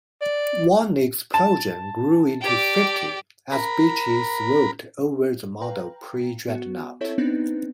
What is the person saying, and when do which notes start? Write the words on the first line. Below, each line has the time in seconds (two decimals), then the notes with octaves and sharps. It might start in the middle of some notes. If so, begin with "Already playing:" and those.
One explosion grew into fifty as Beachey swooped over the model predreadnought.
0.21 D5
1.34 A5
2.42 G4 D5
3.52 A#4 B5
5.61 B4 F5 G5 A#5
6.48 B3 F#4
7.01 C4 E4 A4 C#5 E5
7.18 B3 C4 D4 D#4 B4